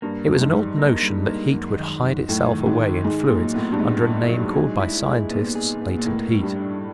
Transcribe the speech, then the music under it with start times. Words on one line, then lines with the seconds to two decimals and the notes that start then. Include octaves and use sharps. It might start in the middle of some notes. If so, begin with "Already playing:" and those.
It was an old notion that heat would hide itself away in fluids under a name called by scientists latent heat.
0.02 G2 A#3
0.28 F#2
0.41 G#2
0.53 G3
0.78 A#3
1.03 G3
1.28 A#3
1.53 F#2
1.79 D#3
2.04 F#2
2.29 F#2 A2
2.54 D#3
2.66 G#2
2.79 D#3
3.04 G#2 G#4
3.30 A#2 F#3
3.54 A2 B3
3.72 G2
3.79 G#2 B3
4.04 E4
4.29 F#3
4.55 G#4
4.80 E4
5.05 G#4
5.30 A#2 B3
5.55 G#4
5.81 B3
5.98 A#2
6.06 A2 A#3
6.31 G3
6.43 G2
6.56 D4